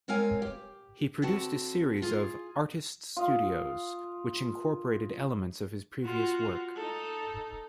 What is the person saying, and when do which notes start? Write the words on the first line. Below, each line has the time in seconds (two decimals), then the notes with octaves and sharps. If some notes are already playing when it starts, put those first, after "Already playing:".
He produced a series of "Artists Studios" which incorporated elements of his previous work.
0.08 G#3 C4 A#4 C#5 F5 G#5
0.42 G4
1.22 D3 C4 F#4 A5
2.02 F4 G#4
3.17 F4 D#5 F5
6.03 F4 F#4
6.76 D#4 A4